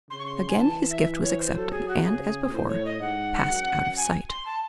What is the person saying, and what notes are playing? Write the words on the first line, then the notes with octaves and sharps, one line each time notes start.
Again his gift was accepted and, as before, passed out of sight.
C#3 C6
C#6
C6
G#5
E3 A5
E5
C#5
C5
F#3 A4
G#4
F#4
C#3 G#4
A2 C5
C#5
D#5
G#2 F#5
F#2
G#5
C6
A5